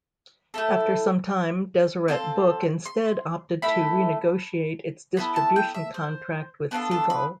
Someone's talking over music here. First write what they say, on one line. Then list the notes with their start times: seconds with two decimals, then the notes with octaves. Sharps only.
After some time, Deseret Book instead opted to renegotiate its distribution contract with Seagull.
0.54 A3 E4 A4
2.08 C4 F4 A4 C6
2.86 C6
3.62 A3 E4 A4 B5
5.17 B3 E4 A4 B5
5.36 A5
5.56 G5
5.74 E5
5.94 C5
6.71 B3 D4 F4 A4 B4
6.91 A4
7.10 B4